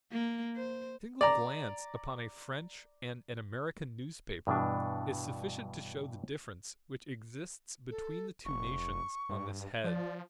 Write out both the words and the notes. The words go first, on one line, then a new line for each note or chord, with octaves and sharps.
A single glance upon a French and an American newspaper is sufficient to show the difference which exists between the two nations on this head.
A#3
C5
D5 A#5
G2 B2 E3 D4
A4
F1 C#6
G2
F3 D5